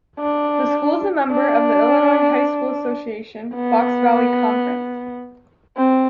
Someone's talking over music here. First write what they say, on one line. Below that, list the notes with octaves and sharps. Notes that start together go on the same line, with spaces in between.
The school is a member of the Illinois High School Association, Fox Valley Conference.
D4
D4
B3
C4